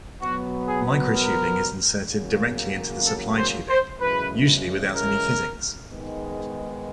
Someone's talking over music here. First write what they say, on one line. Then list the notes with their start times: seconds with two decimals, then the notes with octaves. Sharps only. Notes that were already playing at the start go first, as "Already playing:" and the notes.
Microtubing is inserted directly into the supply tubing, usually without any fittings.
0.20 B2 F#3 B3 F#4
0.68 G#4
1.15 A#4
2.10 E2 C#3 F#3 A#3
3.05 A4
3.37 C5
3.69 C5
4.00 F#2 C#3 E3 G#3 B4
4.94 A#4
5.90 G#2 D#3 G#3 B3